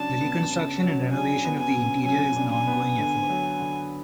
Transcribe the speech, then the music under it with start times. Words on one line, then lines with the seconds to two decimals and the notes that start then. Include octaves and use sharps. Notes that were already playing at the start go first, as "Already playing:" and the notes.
The reconstruction and renovation of the interior is an ongoing effort.
Already playing: C#3 F#3 D4 A5
0.21 B3
0.51 C#3
0.83 F#3
1.13 D4 G#5
1.45 B3
1.59 G#5
1.75 C#3
2.05 F#3 G#5
2.36 D4
2.52 G#5
2.67 B3
2.98 D3
3.29 F#3
3.60 D3